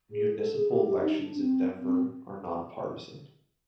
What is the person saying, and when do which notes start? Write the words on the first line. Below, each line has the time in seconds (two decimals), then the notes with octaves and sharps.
Municipal elections in Denver are nonpartisan.
0.12 G#4
0.33 A4
0.54 G#4
0.70 G4
0.85 G4
0.97 D4
1.01 D#4
1.18 D4
1.38 C4
1.80 C4